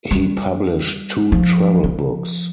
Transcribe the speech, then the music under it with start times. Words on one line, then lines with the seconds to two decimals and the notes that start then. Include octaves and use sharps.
He published two travel books.
0.11 G3
1.32 F3
1.84 F3